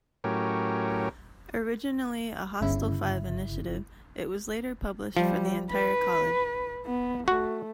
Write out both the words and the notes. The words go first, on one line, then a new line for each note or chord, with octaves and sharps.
Originally a hostel-V initiative, it was later published for the entire college.
A2 F#3 C#4 G4 A#4
G1 C#3 E4
F3 G3
B4
B3
A3 F#4